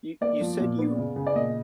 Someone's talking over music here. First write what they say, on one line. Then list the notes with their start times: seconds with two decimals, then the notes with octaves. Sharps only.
You you said you
0.21 A#3 D5
0.41 F3
0.60 A#2
0.78 B3
0.98 C#3
1.16 C#3
1.27 D5
1.35 A#2 D#5